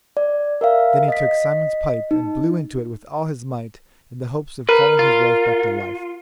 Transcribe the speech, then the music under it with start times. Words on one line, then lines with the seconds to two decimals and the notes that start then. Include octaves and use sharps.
Then he took Simon's pipe and blew into it with all his might, in the hopes of calling his wife back to life.
0.17 D5
0.61 A#4 E5 F5
1.08 D#5 B6
2.11 D#4
4.69 A#4 B4
4.99 F4